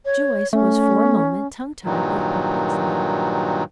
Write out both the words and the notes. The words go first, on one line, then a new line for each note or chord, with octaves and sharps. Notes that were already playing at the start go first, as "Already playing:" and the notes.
Joyce was, for a moment, tongue-tied with perplexity.
C#5
A3 C#4
G2 A#2 D#3 F#3